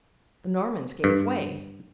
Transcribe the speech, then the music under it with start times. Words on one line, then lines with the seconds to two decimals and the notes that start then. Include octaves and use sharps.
The Normans gave way.
1.04 G2